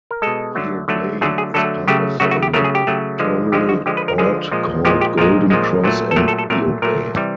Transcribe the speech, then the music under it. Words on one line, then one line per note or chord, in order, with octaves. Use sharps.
Weobley is part of the electoral ward called Golden Cross and Weobley.
A#4
B2 G#3 A4
D3 F#3 A3
D3 F#3 A3
D3 F#3 A3 G#4
G#4
D3 F#3 A3 A4
C#3 F#3 A3 G4
C#3 F#3 A3 F#4
F#4
G4
C#3 F#3 A3 A#4
G#4
G4
C#3 F#3 A3
D3 F3 G#3
D3 F3 G#3 G4
F#4
D3 F3 G#3 G4
B4
A#4
D3 F3 G#3 G#4
A#2 F3 G#3
A#2 F3 G#3 G4
G4
A#2 F3 G#3 A#4
A#2 F3 G#3
A#2 F#3 A3
A4
A#2 F#3 A3 A#4
A4
A4
A#2 F#3 A3 A#4
A#2 F#3 A3 A#4
C3 E3 G3